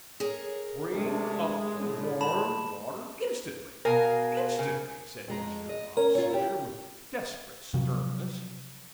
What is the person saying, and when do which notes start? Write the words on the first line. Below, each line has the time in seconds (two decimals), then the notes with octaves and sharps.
'Bring up the warm water instantly--instantly!' said Mr. Bob Sawyer, with desperate sternness.
0.20 G#4 A#4 C#5
0.93 C3 G#3 A3 D4
1.73 A#1 A2
2.21 A5 B5 E7
3.85 B2 G#4 A#4 F5
4.59 C#3
5.28 F2 G#3 A#5
5.69 D#5
5.97 C#4 A#4
6.15 F4 C#5
6.30 E4 G4
7.74 C3 F3 F#3